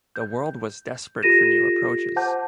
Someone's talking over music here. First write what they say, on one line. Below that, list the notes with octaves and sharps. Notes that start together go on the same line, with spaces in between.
The world was desperate for new approaches.
G6
F4 G4 A4 A#6 D#7 E7
C5 F#5 A5 D6 G6